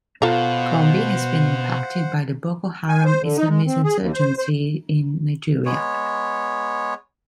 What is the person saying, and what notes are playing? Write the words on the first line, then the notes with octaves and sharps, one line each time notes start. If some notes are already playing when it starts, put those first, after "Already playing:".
Gombe has been impacted by the Boko Haram Islamist insurgency in Nigeria.
B2 F4 A4 C5 F5 F#5 A#5
G#5
C5
D3
D#4
G#3
C4
G#4
D#2
C5
C5
G#3 B3 C#5